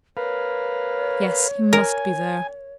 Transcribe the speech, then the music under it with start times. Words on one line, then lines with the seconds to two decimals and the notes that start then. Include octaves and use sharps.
Yes, he must be there.
0.17 A#4 B4 C#5 F5
1.73 A#4 G#5